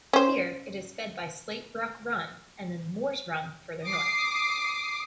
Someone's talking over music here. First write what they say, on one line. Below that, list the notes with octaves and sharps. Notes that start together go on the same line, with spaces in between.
Here, it is fed by Slate Rock Run and then Moores Run further north.
C#4 C5
D6 D#6 C7